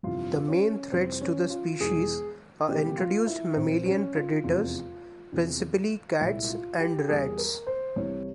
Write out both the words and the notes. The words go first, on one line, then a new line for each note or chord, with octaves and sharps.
The main threats to the species are introduced mammalian predators, principally cats and rats.
G1 F2 C3 E3 F4
C#4
F2 C3 E3 G3 C4
C#4
F4
E1 E2 E3 G#4
E1 E2 C#3 E3 A#3 G4
F4
E4
A#1 A#2 F3 C4
C#4
F4
F1 E2 C3 F3 F4
E2 C3 E3
C2 A#2 G#3 E4
F4
G4
E2 E3 G3 A#3 G#4
A#4
C5
C2 C3 E3 G3 C#5